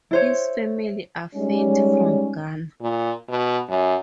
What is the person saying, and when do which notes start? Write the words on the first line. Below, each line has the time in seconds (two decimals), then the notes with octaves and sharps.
His family are Fante from Ghana.
0.11 E4 C5 C#5
1.35 G3 G#3 C#4 D#4 C#5
2.81 A#2
3.29 B2
3.69 F#2